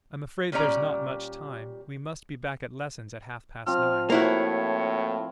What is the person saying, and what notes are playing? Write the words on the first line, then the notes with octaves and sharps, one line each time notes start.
"I'm afraid there's not much time; we must be back at lessons at half-past nine."
A#2 G3 C#4 D5 A#5
F3 C4 F4 F6
A2 A#3 E4 F#4 C#5